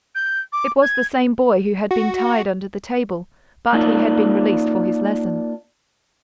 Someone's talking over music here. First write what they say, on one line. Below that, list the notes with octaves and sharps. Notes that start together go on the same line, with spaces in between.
It was the same boy who had been tied under the table, but he had been released for his lesson.
G6
D6
G#6
F#4
A#3 D4 D#4 F4